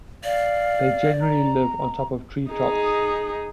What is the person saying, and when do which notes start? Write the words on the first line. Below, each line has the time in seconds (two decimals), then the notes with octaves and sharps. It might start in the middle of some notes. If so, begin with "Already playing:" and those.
They generally live on treetops.
0.24 D5 F5
1.21 A#5
2.50 D#4 G#4